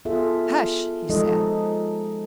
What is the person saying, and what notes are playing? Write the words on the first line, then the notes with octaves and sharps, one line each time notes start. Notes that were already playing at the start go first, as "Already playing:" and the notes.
"Hush!" he said.
B3 F4 G#4 A4 E5
F3 G#3 D#4 A4 D#5